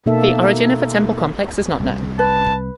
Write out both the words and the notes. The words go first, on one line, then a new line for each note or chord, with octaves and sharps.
The origin of the temple complex is not known.
B2 A#3 D#4 A4 E5
C2
B4 A5